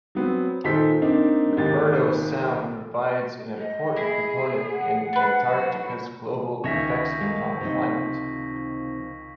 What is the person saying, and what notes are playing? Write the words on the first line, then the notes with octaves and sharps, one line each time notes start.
McMurdo Sound provides an important component in Antarctica's global effects upon climate.
F#3 B3 C4
A#2 D#3 D#4 A4 C5 B6
A#3 C4 D4 D#4
G#1 G#2 A#3 G4 A6
D#5
E4 G#4
F#5
D4 B4
F#3 F#4
C#2 D#3 C#4 E5 C#6 A#6 B6
C#6
G#3 A#4 F5
C3 F3 D#4